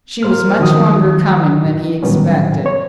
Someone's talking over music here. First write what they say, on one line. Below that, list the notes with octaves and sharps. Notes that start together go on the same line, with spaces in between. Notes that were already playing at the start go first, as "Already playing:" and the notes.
She was much longer coming than he expected.
A#3 C5 F6
D#3 F3 F#3 F#4 D#6
A2 D#3 F#3 G3 B3 C#4
C#5